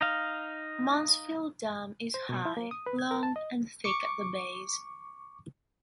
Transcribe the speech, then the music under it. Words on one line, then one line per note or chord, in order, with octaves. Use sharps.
Mansfield Dam is high, long, and thick at the base.
D#4 F5
C5
B2
E4
A#3
D#6
B4
G#6
A#4
A5
D#5
C#6 D6 C#7